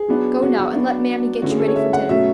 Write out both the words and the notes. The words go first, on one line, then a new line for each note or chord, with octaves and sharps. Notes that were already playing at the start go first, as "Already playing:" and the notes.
"Go now and let mammy get you ready for dinner."
Already playing: G#4
F#3 B3 D4
F#4
F#4
F#3 B3 D4
D3 A3 C#4 E4 F#4
G#4
A4
C#5
E5
F#5
B2 F#3 A3 C#4 E5